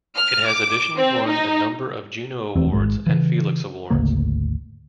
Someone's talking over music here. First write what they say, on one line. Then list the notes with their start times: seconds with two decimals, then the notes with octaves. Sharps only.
It has additionally won a number of Juno Awards and Felix Awards.
0.16 F6
0.48 D6
0.96 C4
1.26 D#4
2.56 F1 E2 C4
2.73 G#1 D#2 G#2 G#3
3.07 C#3 E3
3.90 G#1 D2 C#3 A#3